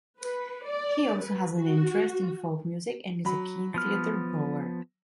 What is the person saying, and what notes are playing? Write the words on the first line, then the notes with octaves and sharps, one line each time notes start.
He also has an interest in folk music and is a keen theatre goer.
B4
D5
B4
F#4
F#3 B5
F3 B3 F6